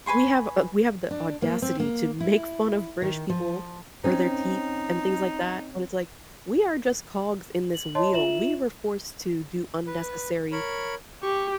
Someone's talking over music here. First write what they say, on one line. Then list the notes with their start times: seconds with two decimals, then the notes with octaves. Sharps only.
we have a we have the audacity to make fun of British people for their teeth and things like that, when it's like, we are just cogs in this wheel, we were forced to do unnecessary
0.06 B4 G#5 C6 C#6
1.11 D4
1.42 A#3
1.62 C4
1.80 A#3
2.20 E4
3.02 D#3
3.30 F3
4.04 C4 C#4 D#4
7.74 F#7
7.95 C#5 D#5 A5 C6
8.13 F4 E5 E7 F#7
9.87 B4
10.52 A#4 C#5 B5
11.23 G4 C#6